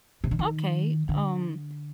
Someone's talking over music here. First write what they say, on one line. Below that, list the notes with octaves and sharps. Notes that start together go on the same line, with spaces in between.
Okay. Um,
C3
D3
D#3
D3